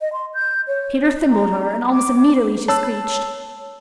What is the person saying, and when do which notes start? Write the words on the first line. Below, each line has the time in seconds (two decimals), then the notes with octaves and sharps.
Peter thimbled her, and almost immediately she screeched.
0.01 D#5
0.13 C6
0.34 G6
0.68 C#5
1.30 A#5
1.92 D6
2.68 C#5 A5 E6